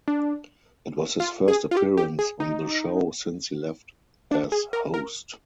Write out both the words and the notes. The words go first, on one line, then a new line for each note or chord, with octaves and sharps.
It was his first appearance on the show since he left as host.
D4
F4
G#4
F4
G4
G4
G#4
D#4
D4
G#4
A#4
A#4